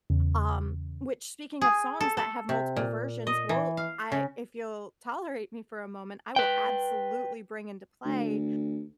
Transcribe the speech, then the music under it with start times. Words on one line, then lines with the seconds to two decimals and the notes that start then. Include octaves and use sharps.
um, which speaking of songs that have multiple versions, well, I if you'll tolerate me for a moment, I will absolutely bring into play,
0.10 E2 C#3
1.61 G#4
2.01 A4
2.17 A4
2.49 C3
2.76 A#2
3.27 D#5
3.49 E3
3.77 F5
4.12 C#3
6.36 B4 G5
8.05 D2